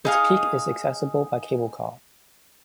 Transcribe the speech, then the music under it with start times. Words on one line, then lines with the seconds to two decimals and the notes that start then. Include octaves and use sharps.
Its peak is accessible by cablecar.
0.05 D#4 G#4 F5